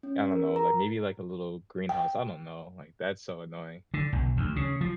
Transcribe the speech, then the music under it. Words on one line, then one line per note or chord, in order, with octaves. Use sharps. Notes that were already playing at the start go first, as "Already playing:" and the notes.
I don't know, like, maybe, like, a little greenhouse. I don't know. Like, that's so annoying.
C#4
A#4
A#5
G5
D3
B1
D2
C#3
F3